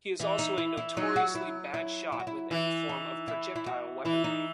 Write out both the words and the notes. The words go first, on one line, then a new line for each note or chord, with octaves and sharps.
He is also a notoriously bad shot with any form of projectile weaponry.
E3 E4
D#4
E4
E4
F#3 D#4
F#4
E4
E4
E4
F#4
E4
E3 E4
D#4
E4
E4
F#4
E3 E4
D#4